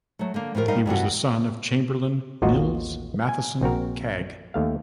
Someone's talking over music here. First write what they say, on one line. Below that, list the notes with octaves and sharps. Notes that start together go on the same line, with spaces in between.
He was the son of Chamberlain Nils Mathisson Kagg.
F#3 A3
D3 A#3
A2 F3 F4 A#4
G3 D#4 A#4 D#5 F5
G2 C3 E3 F#4
A1 D#2 F4 F#4 A#4 D#5
G#5
A#1 C4 F#4 A#4
D#2 A3 F5